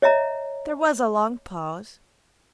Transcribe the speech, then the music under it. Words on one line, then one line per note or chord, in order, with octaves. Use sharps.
There was a long pause.
C#5 D#5 E5 A#5